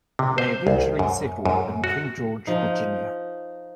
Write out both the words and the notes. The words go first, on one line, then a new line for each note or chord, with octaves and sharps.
They eventually settled in King George, Virginia.
C3
C5
C2
F#2
F#2
F#4
F3 D#4